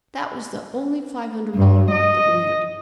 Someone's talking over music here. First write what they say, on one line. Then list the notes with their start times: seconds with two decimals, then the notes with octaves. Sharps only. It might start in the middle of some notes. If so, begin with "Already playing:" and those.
That was the only five-hundred-dollar lot that went.
1.54 G2
1.91 D#5